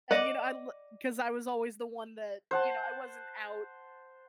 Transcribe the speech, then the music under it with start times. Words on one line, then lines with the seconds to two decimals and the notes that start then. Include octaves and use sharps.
And you know, I l 'cause I was always the one that you know, I wasn't out,
0.11 D5 D#5 F#5
2.51 C5 F#5 A5